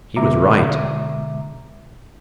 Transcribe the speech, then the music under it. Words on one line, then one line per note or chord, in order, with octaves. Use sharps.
He was right.
B2 D3 G#3 E5 A#5 D6